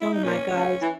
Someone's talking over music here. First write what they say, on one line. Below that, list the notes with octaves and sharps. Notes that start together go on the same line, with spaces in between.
Oh my gosh.
E4
D#4
A#2 C#4
C#3
E3